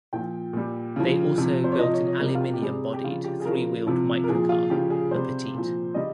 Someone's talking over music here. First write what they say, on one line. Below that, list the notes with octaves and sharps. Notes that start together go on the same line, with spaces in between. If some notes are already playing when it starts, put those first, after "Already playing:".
They also built an aluminum-bodied three-wheeled microcar, the Petite.
A#2 F3 G5
A#2 G3
C#3 F3
C3 F3
C5
C#5
C3 F3 D#5
C#5
C#5
C3 G3 A#4
F4
G4
G4
C3 G3 G#4
G4
C#3 F3 F4
G4
G#4
C#3 F3 A#4
C3 F3
A#4
A#2 F3 G#4
F4
C#3 F3 G4
G#4
C3 G3 C5
A#2 F3
C#3 G3 D#5